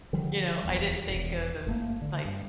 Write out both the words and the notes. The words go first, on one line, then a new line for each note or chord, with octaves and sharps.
you know, I didn't think of, like,
D3 F3 G3
D1 E2
E1 E2
G1 A3 A#3
D3
G2